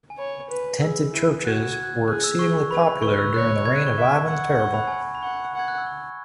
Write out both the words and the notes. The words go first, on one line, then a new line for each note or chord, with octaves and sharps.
Tented churches were exceedingly popular during the reign of Ivan the Terrible.
G#5
C#5 B5
B4
G#4 E6
E4
F#4 F#6
G#6
F#6
G#6
F#6
G#4 F#6
E6
G#4 C#6
B4 B5
B5
B4 C#6
F#6
E6
C#5 F#6
G#6
F#6
C#6
E5
F#5
C#6
B5
G#5
B5
B5
F#5 C#6
F#5 G#6
F#6
E6
C#6